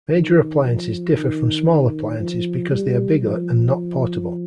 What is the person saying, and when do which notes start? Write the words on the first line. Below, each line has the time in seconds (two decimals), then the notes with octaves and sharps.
Major appliances differ from small appliances because they are bigger and not portable.
0.13 D#3
0.65 F3
1.16 D#3
1.68 D#3
2.19 F3
2.71 G3
3.22 F3